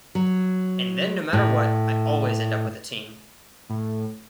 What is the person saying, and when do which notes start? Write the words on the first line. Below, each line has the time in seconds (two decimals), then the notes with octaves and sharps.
And then no matter what, I always end up with a team.
0.15 F#3
1.33 A2
3.69 A2